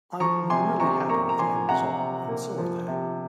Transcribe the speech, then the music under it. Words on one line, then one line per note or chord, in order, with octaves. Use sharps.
I'm really happy with the end result and so are they.
F3 A#5 C#6
C3 G#5 C6
C3 A#5 C#6
A#3 A#5 C#6
A#5
F3 G#5 C6
C3 F#5 A#5
C3
A#3
F3
C3